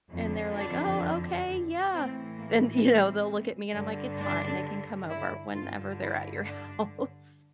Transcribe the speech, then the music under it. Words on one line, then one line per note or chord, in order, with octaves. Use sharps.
And they're like, "Oh, okay, yeah." And, you know, they'll look at me, and I'm like, "It's fine. They can come over whenever they're at your house."
F2 D3
D4
A2 E3 C4
A#3
C4
G2 D3
D4
E4
G2 D3 F4
E4
D4